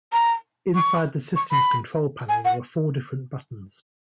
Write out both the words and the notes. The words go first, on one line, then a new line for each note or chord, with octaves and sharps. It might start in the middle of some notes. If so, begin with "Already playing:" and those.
Inside the systems control panel, there are four different buttons.
A#5
C#6
C#6
B5
G#5
F#5